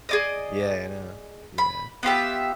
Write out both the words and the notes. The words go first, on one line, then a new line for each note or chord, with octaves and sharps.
Yeah, I know. Yeah.
G#4 D5 D#5
B5
B3 F4 G4 E5